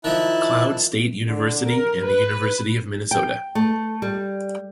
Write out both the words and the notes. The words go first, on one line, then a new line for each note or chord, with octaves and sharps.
Cloud State University and the University of Minnesota.
D#3 F3 E4 A5 F#6
D3
A#4
B4
G5
A3
G3